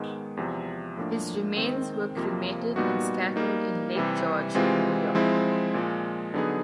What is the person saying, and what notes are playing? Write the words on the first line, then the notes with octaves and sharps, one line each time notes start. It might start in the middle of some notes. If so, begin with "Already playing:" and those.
His remains were cremated and scattered in Lake George, New York.
Already playing: G#2 D#3 G#3 B3
E2 C3 F3
A2 F3 A#3 D4
D#3 G#3 C4
F2 C3 F3 A#3
A#2 G3 B3 D#4 F#4
G3 A#3 D#4
C3 E3 G3
C3 E3 G#3 C4 F4
F3 G#3 C4 E4
A#2 F3 G#3
D3 F#3 B3 D#4 G#4